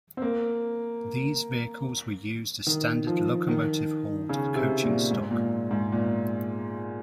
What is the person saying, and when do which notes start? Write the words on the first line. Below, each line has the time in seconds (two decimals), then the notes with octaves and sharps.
These vehicles were used as standard locomotive-hauled coaching stock.
0.17 C4
0.22 A#3
2.67 D#3
3.07 F3
3.48 D#3
4.29 C#3
4.56 C3
4.84 A#2
5.11 G#2
5.31 A#2
5.71 G#2
5.92 A#2